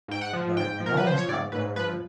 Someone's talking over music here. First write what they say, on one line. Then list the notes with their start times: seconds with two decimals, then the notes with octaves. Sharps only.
but it almost got blown away.
0.08 G#2 G5
0.21 F#5
0.33 F3
0.57 G#2 G5
0.80 F3
0.86 A#4
0.97 B4
1.04 F3 C5
1.18 C#5
1.28 G#2 D5
1.52 G#2 B4
1.76 F3 B4